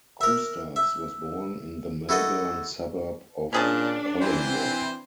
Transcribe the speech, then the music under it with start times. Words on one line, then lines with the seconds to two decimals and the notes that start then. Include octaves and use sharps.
Coustas was born in the Melbourne suburb of Collingwood.
0.21 A#4 E5
0.76 E5
2.09 E4 F#4 A4 D#5
3.53 A#2 C#4 D4 G#4 A5
4.22 E3 C4 C5